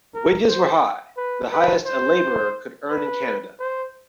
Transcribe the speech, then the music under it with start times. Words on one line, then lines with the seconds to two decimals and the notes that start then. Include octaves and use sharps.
Wages were high, the highest a labourer could earn in Canada.
0.15 A#4
0.48 C5
1.17 B4
1.52 B4
1.86 C5
2.90 B4
3.59 C5